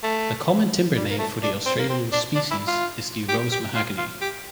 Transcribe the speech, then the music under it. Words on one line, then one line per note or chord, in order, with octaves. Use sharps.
The common timber name for the Australian species is the rose mahogany.
A3
G3
A#3
A3
D4
C4
A#3
C4
D4
D4
E4
F4
G4
G4
F4
F4
G4